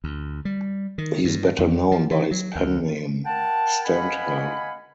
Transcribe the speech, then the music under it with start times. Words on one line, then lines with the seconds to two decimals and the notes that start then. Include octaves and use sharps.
He is better known by his pen name Stendhal.
0.04 D2
0.45 G3
0.98 D#3
1.25 G2
1.59 F2
1.92 F3
2.11 E3
2.31 F#3
2.55 D2
3.25 A#4 F#5 G5 A5
3.85 D#5 F5 F#5 G#5 B5